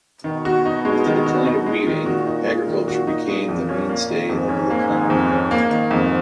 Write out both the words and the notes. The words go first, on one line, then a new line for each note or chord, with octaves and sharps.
With the decline of weaving, agriculture became the mainstay of the economy.
B2 D#3
F#4
D#4
G#3
D#3
F#4
D#4
G#3
A#2 D#3
F#4
D#4
G#3
D#3
F#4
D#4
G#3
F2
C#4
A#3
D#3
F2 G#2
C#4
A#3
D#3
F2
C#4
A#3
D#3
F2 G#2